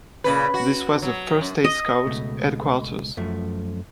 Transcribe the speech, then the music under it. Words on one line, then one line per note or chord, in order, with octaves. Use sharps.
This was the first State Scout headquarters.
A#2 C#3 B4
F#4
F#3
F#2
D#5
C#2 B2 A3
F#2 F3 A3